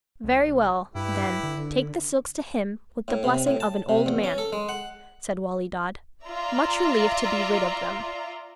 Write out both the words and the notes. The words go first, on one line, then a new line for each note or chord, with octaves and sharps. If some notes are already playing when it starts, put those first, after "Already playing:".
'Very well, then, take the silks to him, with the blessing of an old man,' said Wali Dad, much relieved to be rid of them.
C2
G2 E4 G4 B4
D3
A2
C3
A2
A5
C3
E2
C#4
A4
G#3
F#5
F4 D5 E5 A#5